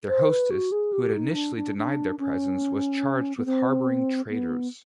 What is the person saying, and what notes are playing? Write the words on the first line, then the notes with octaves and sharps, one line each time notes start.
Their hostess, who had initially denied their presence, was charged with harbouring traitors.
C5
B4
F#4
G#4
G4
D#4
D4
D4
D4
C#4
B3
C4
B3